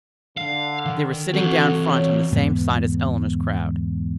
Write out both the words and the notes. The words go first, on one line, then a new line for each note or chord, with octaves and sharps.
They were sitting down front on the same side as Eleanor's crowd.
D3 F5
D#3
E3 C4 F#4 A4
F#4 C#5
E2 G#2 D3 B3